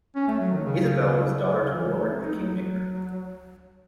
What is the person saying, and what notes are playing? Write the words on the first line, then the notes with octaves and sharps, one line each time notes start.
Isabel was daughter to Warwick the Kingmaker.
C#4
A3
F#3
D#3
C#3
C#3
C#3
E3
G#3
A3
C4
D#4
F#3